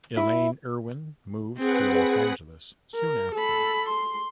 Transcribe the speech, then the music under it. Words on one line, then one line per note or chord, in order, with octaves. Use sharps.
Elaine Irwin moved to Los Angeles soon after.
E4
C4 G#4 B4 F#5
A#4
A4 B5
C6